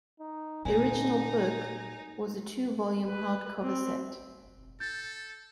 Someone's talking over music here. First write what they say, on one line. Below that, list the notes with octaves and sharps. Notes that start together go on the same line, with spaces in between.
The original book was a two-volume hardcover set.
D#4
A#2 D3 D#4 G#5
B4
C4
A4 G6 A6